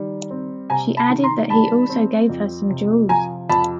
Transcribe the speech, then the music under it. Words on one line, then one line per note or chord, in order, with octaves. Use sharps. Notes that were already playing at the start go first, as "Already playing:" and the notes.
She added that he also gave her some jewels.
Already playing: D#3 G3
C4
C3 G#5 A#5
A5 B5
D#3
A#5 C6
G3 A5 B5
C4
F2
C3
F3 G#5 A#5
F2 A5 B5